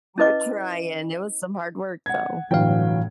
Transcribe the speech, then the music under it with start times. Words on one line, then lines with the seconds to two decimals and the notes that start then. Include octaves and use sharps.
We're trying. It was some hard work, though.
0.18 C#4 E4 B4 D#5 D6
2.06 F#5 G#6
2.51 G1 A2 E3 F#3 F5 G5